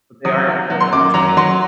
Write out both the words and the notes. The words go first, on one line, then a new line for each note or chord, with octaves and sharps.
but they are really nice kicks.
F#3 D#6
F#3
F#3
C6
F#2 D6
F#3 A#5
F#3 C6